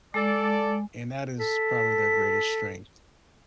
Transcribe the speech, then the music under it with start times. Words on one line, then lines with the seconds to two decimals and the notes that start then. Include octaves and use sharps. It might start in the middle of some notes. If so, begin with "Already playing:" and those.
and that is probably their greatest strength.
0.14 G#3 A4 D5
1.39 A4 B6